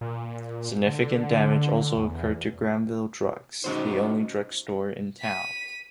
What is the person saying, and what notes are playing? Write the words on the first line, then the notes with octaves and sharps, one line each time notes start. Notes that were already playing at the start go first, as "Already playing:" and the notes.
Significant damage also occurred to Granville Drugs, the only drug store in town.
A#2
D3
E2
G2 D#3 B3 C#4 D#4 F#4 C5
B6 D#7